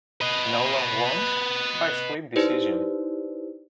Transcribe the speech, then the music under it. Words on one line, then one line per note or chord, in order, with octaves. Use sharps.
Nolan won by split decision.
B4 D#5
D#4 E4 G4 B4 C5 D5